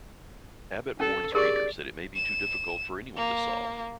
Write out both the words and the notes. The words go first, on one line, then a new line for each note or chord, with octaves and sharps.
Abbott warns readers that it may be too difficult for anyone to solve.
C#4 A4
G4 G#4 A#4 D5
E7
A#3